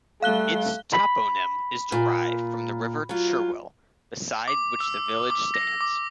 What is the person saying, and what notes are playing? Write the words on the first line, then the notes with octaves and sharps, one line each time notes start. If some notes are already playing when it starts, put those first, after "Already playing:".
Its toponym is derived from the River Cherwell beside which the village stands.
G3 A3 F5 F#6 G7
B5
A#2
F#3 F4
D6
E6
D6
A#6
D6